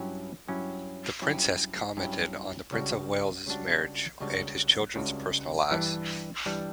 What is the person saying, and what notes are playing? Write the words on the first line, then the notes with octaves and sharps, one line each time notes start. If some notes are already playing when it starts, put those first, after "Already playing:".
The Princess commented on the Prince of Wales' marriages and his children's personal lives.
Already playing: G2 F#3 C#4 E4 G4
G2 F#3 C#4 E4 G4
G2 F#3 C#4 E4 G4
G2 F#3 C#4 E4 G4
C#2 C#3 G3 D4 F#4
C#2 C#3 G3 D4 F#4
C#2 C#3 G3 D4 F#4
C#2 C#3 G3 D4 F#4
G2 E3 G3 D4
G2 E3 G3 D4